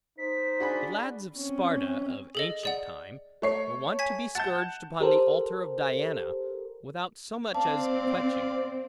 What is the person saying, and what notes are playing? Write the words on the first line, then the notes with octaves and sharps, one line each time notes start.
The lads of Sparta, of ancient time, were wont to be scourged upon the altar of Diana, without so much as queching.
D#4 C5 B6
D4 F#4 G#4 B5
C4 C#4
G#4 A4 D#5
G#4 D5 F#5
A3 C#5 C7
G#5 G#6 B6
F#5 A5 G6 A6
G4 A4 A#4 C5
C4 D5 F5 A5